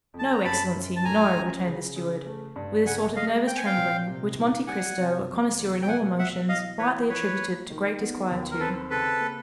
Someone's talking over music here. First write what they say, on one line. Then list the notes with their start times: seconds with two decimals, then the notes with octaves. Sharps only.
"No, excellency, no," returned the steward, with a sort of nervous trembling, which Monte Cristo, a connoisseur in all emotions, rightly attributed to great disquietude.
0.14 F2
0.19 A5
0.32 A#5
0.44 F#2 A5 B5
0.74 F#2
0.96 A5
1.04 A2 G#5 A#5
1.36 A1
1.66 C#3
1.96 C#3
2.26 A3
2.56 G2
2.86 C#3 F#5 G#5
3.16 G#3 D#5 F5
3.47 C4 G5
3.57 G#5
3.66 F5 G5
3.77 A#2
4.07 C3
4.37 D#3
4.67 G3 F#5 G#5
4.98 C3
5.28 C3
5.59 E2
5.82 G5
5.88 B2 F#5 G#5
6.19 B2 E5 F#5
6.49 E3 D#5 F5
6.79 E3 B4 C#5
7.10 F3 B4 C#5
7.39 A#3
7.70 D#3
8.00 B3
8.31 D#2
8.51 A#4
8.60 C4 A4 B4
8.90 C#3 A4 B4
9.21 A#3